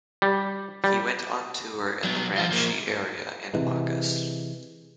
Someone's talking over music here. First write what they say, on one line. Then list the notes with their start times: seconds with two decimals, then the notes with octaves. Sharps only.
He went on tour in the Ranchi area in August.
0.22 G3
0.84 G3
2.04 F#3 B3
2.37 F3 F4
2.51 F3 A#3
3.54 C3 E3 G#3